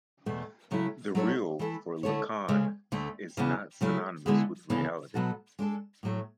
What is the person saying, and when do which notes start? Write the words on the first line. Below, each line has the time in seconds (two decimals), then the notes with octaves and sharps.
The Real, for Lacan, is not synonymous with reality.
0.26 E2 B2 A3
0.71 C#3 F#3 A3 E4
1.15 F#3 A3 E4 A4 C#5
1.59 E3 A3 E4 A4
2.03 D3 A3 E4 A4 C#5
2.49 D2 C#3 G#3
2.92 D2 D3 A3
3.37 E2 C#3 E3 B3
3.81 C#3 F#3 A3 E4
4.26 D3 G#3 B3 E4 G#4
4.70 D2 C#3 E3 B3 D4
5.14 B2 F#3 B3 F#4 A4
5.59 G#3 D4 A4
6.03 A2 F#3 A3